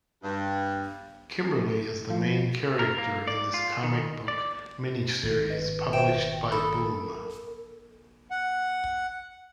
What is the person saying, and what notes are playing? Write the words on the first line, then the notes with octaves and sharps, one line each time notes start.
Kimberly is the main character in this comic book mini series published by Boom!
G2
F3
A#4
A#3
D5
F4
D#3
D5
G#1 A4
B4 D#5
C5 E5 G5 E7
A4 A#4 B5 D#6 E6
F#5